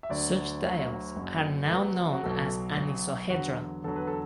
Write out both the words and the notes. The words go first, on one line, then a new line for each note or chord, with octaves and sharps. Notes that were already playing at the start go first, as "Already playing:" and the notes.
Such tiles are now known as anisohedral.
E5
D2 D3 F#3 D5
D2 D3 F#3
F#1 F#2 F#3
A4
F#1 F#2 F#3 B4
F#4
B1 B2 F#3 A4
B1 B2 F#3
E2 D3 F#3 F#4
E2 D3 F#3 A4
B4
A4